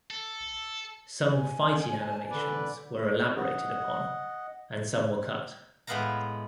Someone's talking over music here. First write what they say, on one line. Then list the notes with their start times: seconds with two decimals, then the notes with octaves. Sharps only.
Some fighting animations were elaborated upon and some were cut.
0.11 A4
1.32 G#5
2.00 A5
2.30 D3 B4 D5
3.35 D#5 F#5
5.87 A2 G#3 B3 B4 F5 A#5